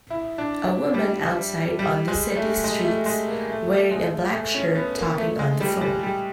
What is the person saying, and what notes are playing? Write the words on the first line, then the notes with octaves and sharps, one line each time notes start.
A woman outside on the city streets wearing a black shirt talking on the phone.
E4
D4
G3
G3
G#3
A3
G#3
A3
G#3
A#3
A3
G#3
A3
C#4
B3
A#3
A3
G#3
G3
G3
G3